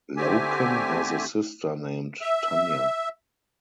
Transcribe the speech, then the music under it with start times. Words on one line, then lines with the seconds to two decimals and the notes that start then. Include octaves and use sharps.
Loken has a sister named Tanya.
0.17 D3 A3 C4 G4 G#5
2.22 E5